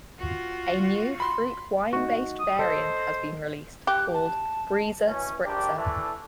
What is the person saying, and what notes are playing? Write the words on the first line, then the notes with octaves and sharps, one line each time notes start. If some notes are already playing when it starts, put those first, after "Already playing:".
A new fruit wine-based variant has been released, called Breezer Spritzer.
F4 F#4
B5 C6
A3 D#4 F#4
D#6
A4 C5 D#5
G4 F#6
A5
B2 E3 C#4
A#1 D4 G4
E3 A3 D4 E4